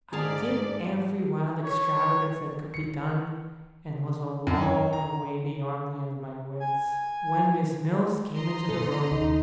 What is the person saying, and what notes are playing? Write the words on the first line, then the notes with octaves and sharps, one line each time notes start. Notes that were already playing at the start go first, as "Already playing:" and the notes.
I did every wild extravagance that could be done, and was a long way beyond the end of my wits when Miss Mills came into the room.
G#2 G#4 D5 F5 A5
C#5
C#7
F#2
C#5
A#5
G#5
D#5 A#5 C6
B2 A4
D#2 D#4